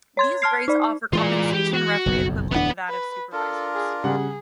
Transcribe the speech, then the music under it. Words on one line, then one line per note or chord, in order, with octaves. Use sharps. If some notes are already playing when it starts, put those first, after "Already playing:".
These grades offer compensation roughly equivalent to that of supervisors.
C#5 C6 G#6
A5 C6 F6 G#6 C7
D#4 D5
E3 G#3 F4 D5
G4
F#4
F#1 B1 F2
D1 E2 B3 D4 F#5
B4
D4 F4 A4 A#4
G#4
C#3 G3 G#4 F#5